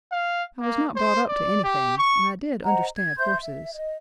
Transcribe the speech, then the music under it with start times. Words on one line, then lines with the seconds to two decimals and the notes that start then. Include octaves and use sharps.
I was not brought up to anything, and I did understand horses.
0.12 F5
0.61 A#3
0.96 C5
1.28 D5
1.64 G4
1.98 C#6
2.65 C5 D#5 F#5 A#5
2.98 G#6
3.18 C5 E5 C6 G6
3.38 E5
3.75 D#5